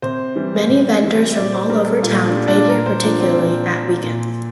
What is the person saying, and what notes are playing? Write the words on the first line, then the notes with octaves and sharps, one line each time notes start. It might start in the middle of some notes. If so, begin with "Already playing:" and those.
Many vendors from all over town trade here particularly at weekends.
C3 C5
E3 G3
C3
E3 G3
E5
A#2 D5
C5
G3 A#4
A4
A#2 F4
D4
G3
D4
A#2 A#4
C5
F3 D4
C4
A#2
F3
A#2